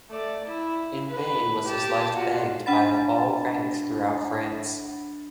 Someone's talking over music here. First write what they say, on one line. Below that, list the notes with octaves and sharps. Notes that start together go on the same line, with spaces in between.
In vain was his life begged by all ranks throughout France.
A3 D5
E4
B4
G4 A5
F4 F#4
D4 F#5 B5 A6